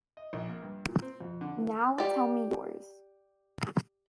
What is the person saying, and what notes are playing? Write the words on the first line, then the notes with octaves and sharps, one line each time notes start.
Now tell me yours.
D#5
A#1
A#3
G2
A#2
C4
F2
D3
E3
G4 D5